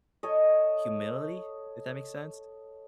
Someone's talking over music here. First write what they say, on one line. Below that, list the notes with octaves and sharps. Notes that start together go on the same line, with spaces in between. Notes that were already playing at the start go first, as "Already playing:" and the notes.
humility, if that makes sense?
A4 C#5 D#5